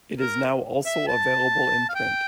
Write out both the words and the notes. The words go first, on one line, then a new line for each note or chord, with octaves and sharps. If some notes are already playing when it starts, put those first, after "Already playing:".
It is now also available in print.
A#4
E5
A5
F5
G5